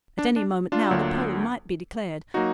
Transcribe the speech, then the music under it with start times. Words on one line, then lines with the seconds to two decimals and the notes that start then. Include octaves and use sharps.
At any moment now the poll might be declared.
0.19 D4
0.36 D4
0.72 D4 F4
0.91 D2 D3 F#3 A#3
2.34 F#3 A#3 D#4 F#4